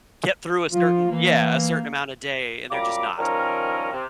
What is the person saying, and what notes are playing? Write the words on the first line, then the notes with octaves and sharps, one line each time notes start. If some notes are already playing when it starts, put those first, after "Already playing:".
get through a certain yeah, a certain amount a day and they're just not.
F3 F4
E3 A#3
F#2 G3 F4 A#5 B5 D6
D#3 F3 G3 C#4 E4 A#4
C3